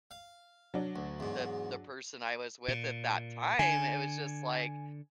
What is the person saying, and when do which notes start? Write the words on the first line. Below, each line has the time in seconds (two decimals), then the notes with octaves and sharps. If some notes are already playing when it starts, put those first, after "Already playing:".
the the person I was with at that time, it was just like,
0.11 F5
0.74 F#3 D4
0.96 D2
1.20 E2 G#2
2.68 A#2
3.59 D3 G#5